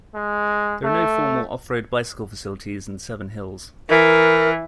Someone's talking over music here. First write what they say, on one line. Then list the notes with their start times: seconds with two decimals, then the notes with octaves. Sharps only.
There are no formal off-road bicycle facilities in Seven Hills.
0.15 G#3
0.84 A3
3.89 E3 A#4